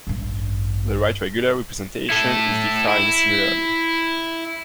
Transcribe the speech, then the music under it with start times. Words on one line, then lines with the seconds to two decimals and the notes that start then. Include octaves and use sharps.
The right regular representation is defined similarly.
0.07 A1 G2
2.10 E4 A4
2.88 E4